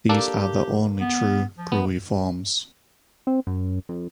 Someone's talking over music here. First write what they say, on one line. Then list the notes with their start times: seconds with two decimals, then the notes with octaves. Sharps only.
These are the only true Gruiformes.
0.09 A#3 D4 G4 A4
1.00 B3
1.57 F3
1.72 B3
3.27 C4
3.47 F#2
3.89 F2